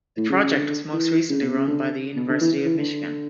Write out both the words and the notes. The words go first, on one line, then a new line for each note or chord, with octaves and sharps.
The project was most recently run by the University of Michigan.
A2
C#3
C#3
D3
E3
C#3
B2
C#3
D3
B2
D3
E3
E3
D3